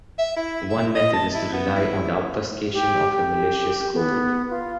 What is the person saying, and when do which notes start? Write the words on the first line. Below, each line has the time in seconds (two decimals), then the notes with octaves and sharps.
One method is to rely on the obfuscation of the malicious code.
0.19 E5
0.36 E4
0.70 E5
0.95 D#5
1.13 A5
1.35 E4
1.52 B3
1.76 E4
2.73 G4
3.11 G4
3.93 B3
4.50 F4